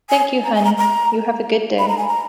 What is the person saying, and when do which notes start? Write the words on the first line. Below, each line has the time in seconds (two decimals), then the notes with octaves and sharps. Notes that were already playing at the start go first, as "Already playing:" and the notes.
Thank you, honey. You have a good day.
0.10 G#5
0.44 A#5
0.54 G#5
0.65 A#5
0.78 A#5
1.79 B5
1.88 A#5
1.97 G#5
2.08 A#5